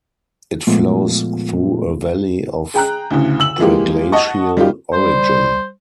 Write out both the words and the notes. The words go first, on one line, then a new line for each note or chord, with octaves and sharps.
It flows through a valley of preglacial origin.
A#2 F3 G#3 A3 B3 F4
G#4 G5 A#5 F#6
D2 A2 C#3
E6 F#7
E3 F3 G#3 A#3 G4
D#5 F#5 A5 C#6
G3 D#4 F4 G4
G3 C5